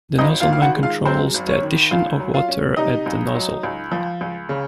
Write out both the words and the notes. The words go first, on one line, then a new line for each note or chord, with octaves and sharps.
The nozzleman controls the addition of water at the nozzle.
G#1 D#4 D#5
F4 F5
D#3
F5
F#4 F#5
G#3
F4 F5
F#2 C4 C5
G#1
C#4 C#5
D#3
C#2 F4 F5
F#3
F4 F5
C#4
C3 D#4 D#5
C#2
F#3
C#2
F3
C#2
C#3